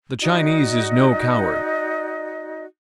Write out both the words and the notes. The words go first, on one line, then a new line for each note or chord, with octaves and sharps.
The Chinese is no coward.
D#4 F#4 D5 D#5